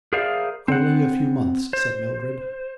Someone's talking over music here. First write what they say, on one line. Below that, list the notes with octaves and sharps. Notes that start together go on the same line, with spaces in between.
'Only a few months,' said Mildred.
G#4 A#4 C5 D5 E5 F5
C4 F#5
C5